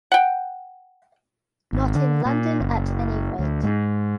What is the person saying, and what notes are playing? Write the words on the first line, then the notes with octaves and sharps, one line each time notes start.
Not in London at any rate.
F#5 G5
G#1
D3
A#2
F#1
D2
G#2